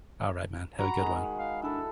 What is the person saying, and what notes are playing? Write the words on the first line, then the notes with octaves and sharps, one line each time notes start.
Alright, man, have a good one.
F#4 A#5 B5
D#3 G#3
F5
D4 E4 A4